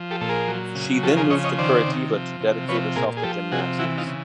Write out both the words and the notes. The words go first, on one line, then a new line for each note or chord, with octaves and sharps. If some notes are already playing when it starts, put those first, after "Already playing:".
She then moved to Curitiba to dedicate herself to gymnastics.
Already playing: F3
G4 A4
A#2 A4
G#4 A#4
F#3
C#3
F3 G4 A4
G#4 A#4
C#3 C#5 D#5
C#5 D#5
D#3 C5 D5
C3
F3
C3
F3 B4 C#5
A#2 G#4 A#4
G#4
F3 G4 A4
C3 F#4 G#4
E3 E4 F#4
D#4 F4
C#3